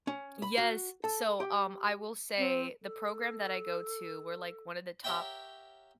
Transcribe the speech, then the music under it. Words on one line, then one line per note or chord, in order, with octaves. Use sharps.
Yes, so, um, I will say the program that I go to, we're, like, one of the top
C#4
B5
F#4
A4
G4
C4
A4
G4 A#4 C#5 E5 F#5 G5